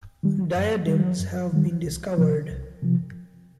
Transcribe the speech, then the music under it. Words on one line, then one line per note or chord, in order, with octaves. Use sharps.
Diadems have been discovered.
D#3 G3
F#2
D#3 G3
F#2
D#3 G3
C2
C3 F3
C2
C3 F3